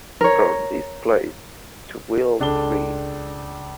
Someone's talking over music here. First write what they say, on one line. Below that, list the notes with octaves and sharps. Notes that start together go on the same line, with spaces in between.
From this place to Will-Tree.
A#4 C#5
C#2 D4 A4 G7